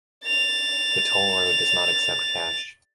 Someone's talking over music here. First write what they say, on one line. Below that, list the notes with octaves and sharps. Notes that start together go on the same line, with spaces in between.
The toll road does not accept cash.
A6 F7